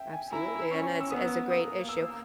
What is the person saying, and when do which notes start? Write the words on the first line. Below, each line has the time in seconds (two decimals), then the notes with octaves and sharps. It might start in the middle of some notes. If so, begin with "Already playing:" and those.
Absolutely, and that's that's a great issue.
Already playing: E5 G5
0.13 G#5
0.32 E4 A#5
0.71 C#4 C#6
1.00 E6
1.11 B3 D#6
1.50 A#3 D#6
1.89 E6